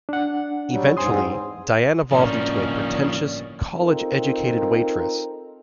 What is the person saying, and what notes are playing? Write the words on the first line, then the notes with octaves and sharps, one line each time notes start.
Eventually, Diane evolved into a pretentious, college-educated waitress.
D4 F#5
F#3 G3
E2 G#2 C4 G#5 C6 D#6
G1 A2 F3 A#3 C#4 D#4 D5
C4 D#4 F4 A4 A#4